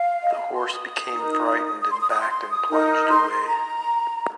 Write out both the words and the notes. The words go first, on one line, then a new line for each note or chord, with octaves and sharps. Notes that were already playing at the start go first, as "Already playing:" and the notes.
The horse became frightened and backed and plunged away.
Already playing: F5
D#5
F5
C6
D#6
D#4 A#4
D#6
C6
D#6
D#6
C6
C6
D#6
D#4 A#4
C6
A#5